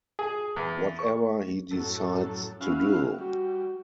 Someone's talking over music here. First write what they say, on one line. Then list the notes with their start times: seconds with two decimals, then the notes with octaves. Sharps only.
Whatever he decides to do!
0.19 G#4
0.56 E2
0.99 C#6
1.71 F#2 A2 F#3 A4
2.61 C#4 E4 F#4 F5
3.18 G3 F#4